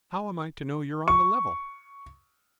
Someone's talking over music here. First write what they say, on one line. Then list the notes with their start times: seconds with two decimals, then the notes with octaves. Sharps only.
"How am I to know you're on the level?"
1.08 C#6